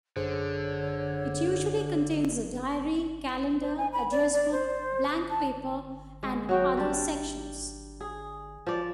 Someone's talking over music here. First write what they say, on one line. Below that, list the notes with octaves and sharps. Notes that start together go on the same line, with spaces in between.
It usually contains a diary, calendar, address book, blank paper, and other sections.
F#2 D3 G#4 C5 C#5
C5
G#5
B5
D5
D5
C5
A5
G#3
F#3 F#4 G5
G3 D4
G#4
F3 D5